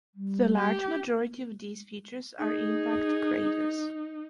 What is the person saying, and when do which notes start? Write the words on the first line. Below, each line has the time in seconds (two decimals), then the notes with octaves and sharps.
The large majority of these features are impact craters.
0.15 G3
0.56 G4
2.40 D#4 G#4